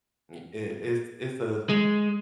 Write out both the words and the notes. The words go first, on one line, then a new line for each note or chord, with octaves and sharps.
m it it's it's a
G#3